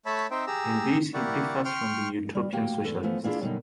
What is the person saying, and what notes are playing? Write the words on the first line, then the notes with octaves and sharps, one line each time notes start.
In this he differs from the Utopian Socialists.
A3 C#5 E5 A5 B5
C4 D#4 C5 E5 G5
G4 G#4 A#5 E6
A#3 E4 G4 D5 F#5 C#6
G5 C6 C#6 F6
G3
A#3 F#4 G4 G5
E2 A4
E3 F3 A3 B3
E3 A#3 D4 E4 F4 G#4
F#2 B2 D3 G3 A#3 D#4